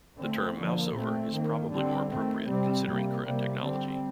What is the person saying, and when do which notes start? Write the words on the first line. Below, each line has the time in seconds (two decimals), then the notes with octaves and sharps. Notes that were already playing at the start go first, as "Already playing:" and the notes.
The term mouseover is probably more appropriate considering current technology.
0.17 D3 A3 C4
0.57 D3 F3 A#3
0.94 A#2 A3 C4
1.32 D#3 A#3
1.70 D3 G3 C4
2.09 D#3 A3 C4
2.47 C3 G3 C4
2.86 C3 G3 A#3
3.25 C3 G3 A#3
3.62 D3 G3 C4